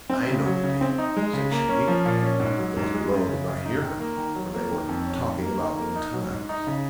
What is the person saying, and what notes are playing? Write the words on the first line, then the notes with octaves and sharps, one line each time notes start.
'I know the date,' said she; but those below did not hear her, for they were talking about old times.
C4
C#3
F#3
C#3
C4
D#4
G#3
C#3
A#3
C#4
F3
A#2
C#4
G#2
F#3
G#2
G#3
F#2
C#3
F#2
D#4
D#3
A#3
D#3
F#3
A#3
D#3
F2
C#4
D#3
A#3
D#3
A#3
D#4
F#3
G#2
D#4
C#3